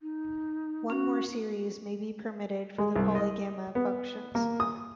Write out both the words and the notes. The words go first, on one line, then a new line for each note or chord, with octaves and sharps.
One more series may be permitted for the polygamma functions.
D#4
C#4 F#4
G#3
C2
D#5
B3
A#3
D#6